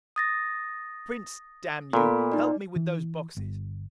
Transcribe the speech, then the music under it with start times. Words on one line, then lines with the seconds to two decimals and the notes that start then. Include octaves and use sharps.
"Prince, damn you, help me with those boxes!"
0.16 D#6 A6 A#6
1.93 A#2 B3 A4 B5
2.32 D#4 D5
2.76 E3
3.37 G1